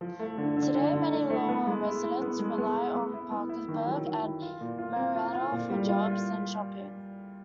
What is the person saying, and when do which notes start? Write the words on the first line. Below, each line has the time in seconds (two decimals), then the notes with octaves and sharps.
Today many Lowell residents rely on Parkersburg and Marietta for jobs and shopping.
0.01 F3
0.19 A3
0.38 D3
0.57 D3
0.75 D3
0.93 D3
1.11 A3
1.30 A3
1.49 B3
1.67 G#3
1.85 E4
2.04 E4
2.22 B3
2.39 G#3
2.58 B3
2.77 E4
2.95 B3
3.14 E4
3.31 B3
3.49 E4
3.68 D#3
3.87 F#3
4.05 D#3
4.24 E4
4.42 F4
4.61 A#2
4.78 F4
4.96 C4
5.16 F4
5.33 F4
5.52 A#2
5.70 G3
5.89 F4
6.06 F4